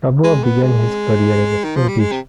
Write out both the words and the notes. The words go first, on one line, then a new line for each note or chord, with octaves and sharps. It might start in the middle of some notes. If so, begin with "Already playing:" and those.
Kabua began his career as a school teacher.
G#3
B3
G#3
D#3
F3
G3
G#3
C3